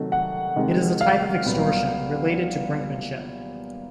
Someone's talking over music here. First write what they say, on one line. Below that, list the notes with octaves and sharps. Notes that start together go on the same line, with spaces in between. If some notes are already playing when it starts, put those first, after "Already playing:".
It is a type of extortion, related to brinkmanship.
Already playing: C3 D#3 F#3 A3
F#5
C3 D#3 G#3
F5
C2 A#2 F#3 B3